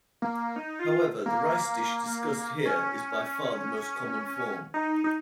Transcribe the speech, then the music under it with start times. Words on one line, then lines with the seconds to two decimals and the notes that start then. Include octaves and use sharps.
However, the rice dish discussed here is by far the most common form.
0.22 A#3
0.56 D#4
0.79 F4
1.26 A#3
2.65 C#4
4.74 D#4
5.04 D#4